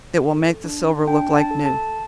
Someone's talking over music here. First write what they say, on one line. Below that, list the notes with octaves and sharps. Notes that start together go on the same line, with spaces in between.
It will make the silver look like new.
A4
D4
D4 G5
A5
A4
A5